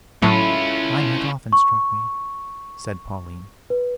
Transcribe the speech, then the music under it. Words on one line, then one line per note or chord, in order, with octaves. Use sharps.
"Mine hath often struck me," said Pauline.
A2 F#3 C#4 E4 F4 A4
C#6
B4